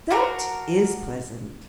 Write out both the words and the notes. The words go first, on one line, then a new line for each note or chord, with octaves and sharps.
That is pleasant!
D4 F#4 A#4